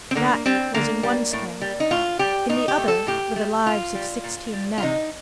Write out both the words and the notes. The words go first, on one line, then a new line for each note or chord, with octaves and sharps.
That was in one scale; in the other were the lives of sixteen men.
C4
D3 A#3
G3 C4
D3 A#3
G3
A2
G3
D#4
A2 F4
G3 G4
A2 D#4
G4
A3
A4
A2 G4
A3
A#2 F4
G3
A#2
G3
F4
C3 D#4